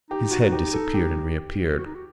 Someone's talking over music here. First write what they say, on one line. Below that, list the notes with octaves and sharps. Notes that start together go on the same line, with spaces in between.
His head disappeared and reappeared.
D#4 G4
F#4
G4
A4
G4
F#4
D#4
F#4